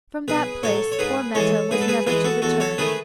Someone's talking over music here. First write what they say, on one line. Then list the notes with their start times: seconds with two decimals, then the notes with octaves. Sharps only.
From that place poor Meta was never to return.
0.28 B1 G#4 B4
0.63 A2 F#3 A4 C#5
0.92 C#5
0.99 G#2 G#4 B4
1.35 E3 G#3 A4 C#5
1.71 G#2 G#4 B4
1.81 A4
1.88 G#4 B4
2.07 E3 G#3 G#4 B4
2.24 F#4 A4
2.42 E2 F#4 A4
2.60 A4 C#5
2.78 D#3 A3 G#4 B4